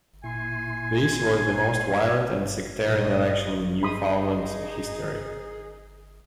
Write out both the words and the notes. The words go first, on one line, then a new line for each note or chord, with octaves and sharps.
This was the most violent and sectarian election in Newfoundland's history.
A#2 E4 G#5 C6
G2 A#2 D#5 D#6
D#4 G#4 B5 C6 D#6